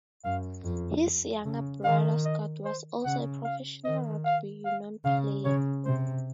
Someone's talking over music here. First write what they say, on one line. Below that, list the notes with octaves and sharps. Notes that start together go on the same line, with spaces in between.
His younger brother Scott was also a professional Rugby Union player.
F#2 F5
F2
C#3
D#3 F5
D#5
C5
C#3 F#5
F5
D#3 D#5
F5
F5
C#3 F5
C#3 C#5
C3 C5